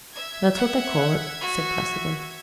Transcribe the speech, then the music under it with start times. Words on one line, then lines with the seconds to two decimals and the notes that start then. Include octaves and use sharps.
"That's what they call it," he said, placidly.
0.13 E5 G#6
0.57 F#5
1.41 F#4